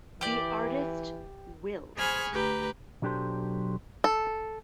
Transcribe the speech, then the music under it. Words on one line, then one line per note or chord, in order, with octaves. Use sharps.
The artist Wilh.
E3 G4 D5
G#4 C5 G#5 B5 C#6 F6
D2 G4 B4 A#5
B1 F#3 D4 G4 A4 C5
A4